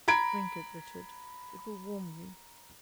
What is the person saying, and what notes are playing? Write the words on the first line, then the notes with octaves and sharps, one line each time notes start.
"Drink it, Richard, it will warm you."
A#5 B5 G#6 D7